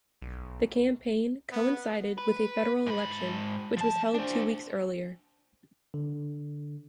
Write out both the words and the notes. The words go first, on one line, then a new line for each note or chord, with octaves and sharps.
The campaign coincided with a federal election, which was held two weeks earlier.
B1
B3
B4
G#2 B5
F3 A5
D4 C5
D3